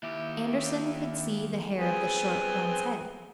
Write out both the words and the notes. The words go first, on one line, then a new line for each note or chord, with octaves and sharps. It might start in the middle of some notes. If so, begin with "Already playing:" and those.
Andersen could see the hair of the short one's head.
D#2 E4 G4
B3 C4 G#4